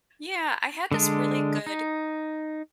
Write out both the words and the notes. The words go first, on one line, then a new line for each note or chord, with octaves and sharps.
Yeah, I had this really good
D3 G#3 D4
D#4